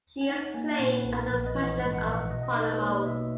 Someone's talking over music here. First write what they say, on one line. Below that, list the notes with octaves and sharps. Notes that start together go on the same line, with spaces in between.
She is claimed as the patroness of Palermo.
G#5
D#4 F#5
A#3 G#5
A#2 F#5
B4
B1
A#4
A#1 B4
D#5
E3
F#5
G#2 F#5
F#5
A#1 E5
B2 D#5
D#5
D#4 D#5
B4
A#3 C#5
B2 E5